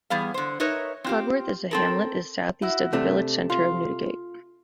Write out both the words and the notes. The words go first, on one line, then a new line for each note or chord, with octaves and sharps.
Cudworth is a hamlet is southeast of the village centre of Newdigate.
E2 G3 B3 G#4 F5
D3 C5
D#4 A#4 B4 C#5 E5
C4 F4 G4
C4 A4 A#4
E4 F#4
C3 A3 D4
F4